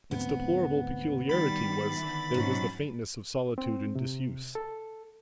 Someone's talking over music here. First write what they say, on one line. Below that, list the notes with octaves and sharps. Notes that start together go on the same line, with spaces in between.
Its deplorable peculiarity was, that it was the faintness of solitude and disuse.
D2 G#2 B3 C4
D#3 G3 B5 A6
D3 E3
G#2 F#3 C#4 F#4
C4
C3
A4